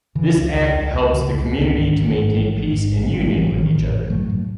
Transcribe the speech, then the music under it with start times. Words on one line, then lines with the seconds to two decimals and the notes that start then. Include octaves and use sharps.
This act helps the community to maintain peace and union with each other.
0.15 C#3 E3
0.36 C#2
0.55 C#2
0.75 C#2
0.94 C#2
1.15 C#3
1.34 C#2
1.53 C#2
1.73 G#2 D#3
1.93 A1
2.13 G#2
2.33 A1
2.52 A1
2.72 G#2
2.91 A1
3.12 A1 G#3
3.22 F#3
3.31 A1 E3
3.51 A1
3.58 D#3
3.71 A1
3.91 A2
4.10 A2 F#3 A3
4.29 A2